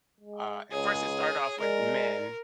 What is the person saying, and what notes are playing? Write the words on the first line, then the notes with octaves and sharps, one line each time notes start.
uh at first it started off with men
G#3
C#2 G#4 C#5
G#3 A#4 D5